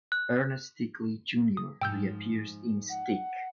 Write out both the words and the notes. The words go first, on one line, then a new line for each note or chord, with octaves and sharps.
Ernest Stickley, Junior reappears in "Stick".
F#6
D#6
G#2 F3 G5 E6 G6
F#5